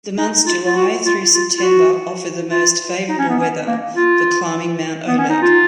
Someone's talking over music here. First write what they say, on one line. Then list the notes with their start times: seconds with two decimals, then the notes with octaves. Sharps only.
The months July through September offer the most favorable weather for climbing Mount Oleg.
0.18 D#4
0.46 F4
0.66 F4
0.75 F#4
1.05 F4
1.34 F4
1.57 F4
1.62 F#4
2.50 F4
3.08 D#4
3.19 C#4
3.29 B3
3.40 C#4
3.67 A#3
3.96 F4
5.07 B3
5.18 C#4
5.29 D#4
5.41 F4